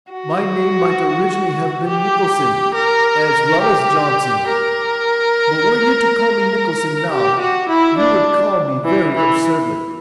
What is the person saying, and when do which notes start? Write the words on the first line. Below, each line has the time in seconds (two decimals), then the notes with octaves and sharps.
My name might originally have been Nicholson, as well as Johnson; but were you to call me Nicholson now, you would call me very absurdly.'
0.12 F#4
1.87 G4
2.74 A#4
3.61 G4
4.49 A#4
7.11 G4
7.40 F#4
7.69 E4
7.98 D4
8.85 E3
9.15 E3